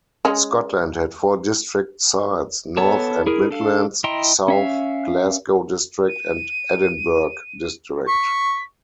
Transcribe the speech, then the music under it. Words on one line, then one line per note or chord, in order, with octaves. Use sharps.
Scotland had four District Sides:- North and Midlands; South; Glasgow District and Edinburgh District.
G#3 C#4
B3 A4 C#5 A5
E4 G#4 A#4
D4 A4 F5
E4 D#5 G5 A#5 C6
C#4 E5 F5
D#7
C#6 B6